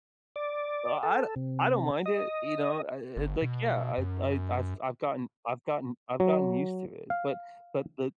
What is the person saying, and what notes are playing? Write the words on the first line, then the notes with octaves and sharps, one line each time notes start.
I I don I don't mind it. You know? Uh uh It like Yeah. I I I've I've gotten I've gotten I've gotten used to it, but but but
D5
A4
C3
D#5
G1
B2
F#2
F#3
F5